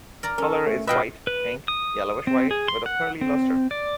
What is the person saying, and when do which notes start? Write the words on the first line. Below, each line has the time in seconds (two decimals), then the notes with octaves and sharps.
Colour is white, pink, yellowish white with a pearly lustre.
0.23 A#4 D5 A#5
0.38 C#4 A4 A#4
0.66 A3
0.87 B2 F4 B4 D#5 E5 G5
1.27 B4
1.68 D#6
2.27 C4
2.51 G#4
2.68 C6
2.86 F#5
3.21 C4
3.71 D5